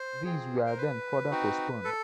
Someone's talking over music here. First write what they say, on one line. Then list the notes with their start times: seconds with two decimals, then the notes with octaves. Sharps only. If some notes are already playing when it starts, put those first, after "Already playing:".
These were then further postponed.
Already playing: C5
0.25 C4 F4 G#4
0.66 A#4
0.78 B4
1.31 C4 D#4 F#4
1.84 A4